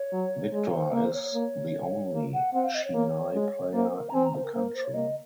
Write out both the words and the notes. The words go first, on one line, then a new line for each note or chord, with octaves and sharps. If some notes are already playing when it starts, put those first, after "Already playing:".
Victor is the only Shehnai player in the country.
Already playing: C#5
F#3
G#3 C#5
C5
A#3 A#4
C5
C#5
C#5
A#3
A#3
F#5
C4 F#5
F5
D#5
C#5
A#3
G#3
A#3 C5
A#4
A#5
C4 G#5
A#5
C5
A#4
A#3 C5
A#4
C5
C#5
A#3 D#5